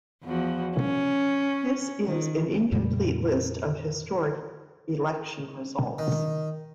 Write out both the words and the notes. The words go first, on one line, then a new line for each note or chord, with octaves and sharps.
This is an incomplete list of historic election results.
E2 F3 F#4
C#4
D#3
F2 A#2 C#3 G3
D#3